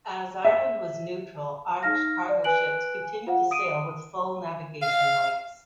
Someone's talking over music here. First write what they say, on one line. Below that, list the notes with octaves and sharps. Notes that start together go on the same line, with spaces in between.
As Ireland was neutral, Irish cargo ships continued to sail with full navigation lights.
E5
D#4 F5 F6 A#6
D5
B4 G#5 F#6 D7 F#7
F4 C5 F5 F#5
D#6 D7 D#7
F5